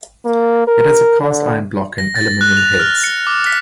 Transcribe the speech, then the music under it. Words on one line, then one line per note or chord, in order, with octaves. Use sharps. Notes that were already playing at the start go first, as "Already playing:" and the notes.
It has a cast iron block and aluminum heads.
A#3
A#4
D3
A#6
A6
F#6
F7
F6
C#7
D6
B6